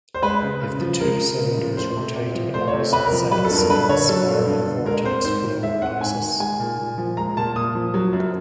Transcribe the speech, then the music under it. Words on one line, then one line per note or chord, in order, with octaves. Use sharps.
If the two cylinders rotate in opposite sense then spiral vortex flow arises.
C5
G#3 B4
C#3
C#3
F3
G#3 A#4
C#3
C#3
F3
A3 C5
C3
C3
F3
A3 C5
C#5
C3
C3 B4
A#4
F3
F#3 B4
A4
G2
A#4
G2 B4
D3 C#5
F#3 A4
G2
G2
D3
G#3 A#4
C4 C5
G#2 C5
D#3
G#3 E5
C4 F#5
G#2 G#5
D#3
G#3 G#5
A#2
A#2
F3
G#3 A#5
A#2 A5
A#2 D#6
F3
F#3
F#2